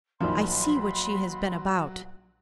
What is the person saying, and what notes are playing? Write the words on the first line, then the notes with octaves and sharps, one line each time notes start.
I see what she has been about.
A#1 D#3 F3 F#3 F4 B5 C6